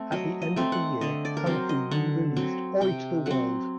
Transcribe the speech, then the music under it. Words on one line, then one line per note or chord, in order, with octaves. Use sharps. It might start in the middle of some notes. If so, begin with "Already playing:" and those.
At the end of the year Kung Fu re-released Oi to the World!
Already playing: A3 C4
F#3 D#5
D#5
A3 C4
F#5
D3 D#5
D5
A#4
F#3 C4 C5
D#5
D3 F#5
F#3 C4
C3 G5
F#3 C4 F#5